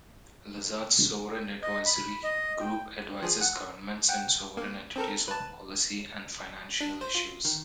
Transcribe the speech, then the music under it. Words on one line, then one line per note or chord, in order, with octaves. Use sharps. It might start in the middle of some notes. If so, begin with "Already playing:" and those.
Lazard's Sovereign Advisory group advises governments and sovereign entities on policy and financial issues.
D#5
B5
D#5
G5
F3 G#4
F#5
F#5 G5
A#3
C4 A4 A#4
B4 A5
D4
C5
F4
D#3